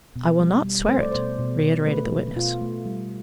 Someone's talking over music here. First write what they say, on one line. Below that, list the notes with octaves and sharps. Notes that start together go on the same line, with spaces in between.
"I will not swear it," reiterated the witness.
B2
G3
G3
A3 C5
D5
B2 C5
B2
B2
A3 B4
B2
B2 F4
A3
G3